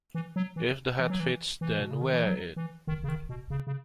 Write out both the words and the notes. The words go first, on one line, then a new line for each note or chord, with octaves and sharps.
If the hat fits, then wear it!
E3
F#3
E3
E3
F#3
E3
E3
B2
C#3
D#3
E3
F#3
E3
D#3
C#3
D#3
B2
C#3
C#3